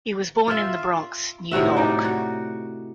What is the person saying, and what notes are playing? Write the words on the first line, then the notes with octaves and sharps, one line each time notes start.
He was born in The Bronx, New York.
F4 E5
A2 C3 F#4 E5
D#4 D5
F#4